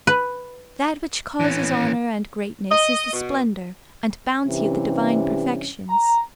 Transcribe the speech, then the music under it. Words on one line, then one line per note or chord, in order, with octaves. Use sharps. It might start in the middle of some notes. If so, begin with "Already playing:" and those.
That which causes honor and greatness is the splendor and bounty of the divine perfections.
B4
E3 C#4
D#5
B2
G2 C3 E3 C#4
A#5